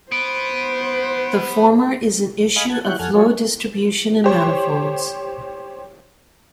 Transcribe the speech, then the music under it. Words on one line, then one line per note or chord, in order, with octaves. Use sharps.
The former is an issue of Flow distribution in manifolds.
B3 C5 D7
D#5 F5 G#5 B5
F#5 A5 G#6
G3 E4 C#5 F#5 F#6 G6
F2 A4 F#5 G#5 F6
F#3 G#3 F4 G#4 A4 C#5
G4 C5 C#5